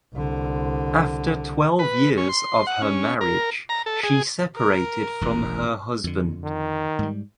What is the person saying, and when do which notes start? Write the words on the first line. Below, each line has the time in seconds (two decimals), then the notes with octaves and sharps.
After twelve years of her marriage she separated from her husband.
0.15 C2 D3
1.79 B4
2.17 C#4
2.29 C6
2.67 F#5
2.82 C#4
3.21 A#4
3.69 A#5
3.86 A4
4.04 G#4
4.56 A#4
5.21 E1 A1
6.04 F2 D3
6.44 D#3
6.99 G#2 G3